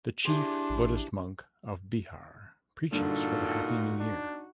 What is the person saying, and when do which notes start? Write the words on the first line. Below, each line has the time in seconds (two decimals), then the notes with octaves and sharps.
The chief Buddhist monk of Bihar preaches for the happy new year.
0.25 D4 E4 G4 G#4 C6
0.70 A1
2.92 G2 A#2 D3 D#4 F#4 A4
4.00 D4